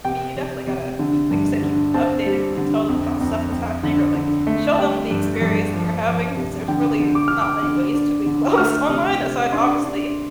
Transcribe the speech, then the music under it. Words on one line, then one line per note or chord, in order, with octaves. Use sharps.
I mean, you definitely gotta, like you said, keep them updated and, like, tell them about stuff that's happening or, like, show them the experience that you're having, 'cause there's really not many ways to be close online aside obviously
C3 G5
C3
C3
D3
G2
D3
C4 A5
G3
D3
F2
F2
F2
D3
D3
A3
A5
G3 G5
G2
G2
F3
F3
C3
D3 G5
D3
D6
D3 F6
D6
D3
D4
D3
A3 F6
C3
C3
D4 C6
D4